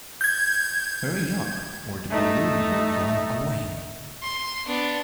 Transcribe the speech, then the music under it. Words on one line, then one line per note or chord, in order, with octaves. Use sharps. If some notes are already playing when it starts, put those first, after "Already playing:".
Hurry up, or the balloon will fly away.
G6 G#6
A3 D#4
C6
B3 D4